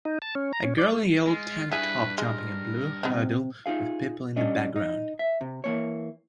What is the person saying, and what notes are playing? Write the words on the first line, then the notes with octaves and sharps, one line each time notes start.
A girl in a yellow tank top jumping a blue hurdle with people in the background.
D#4
A5
C#4
A#5
C#4
D5
A3
G#3 F4
G2 E4 G#4 B4 G#5
G#3 A#4
C3 B3 D#4
D#4 F4 G#4 F5
G2 G3 C#4 D4 D#5
D#4
E5
C3
E3 A#3 C#5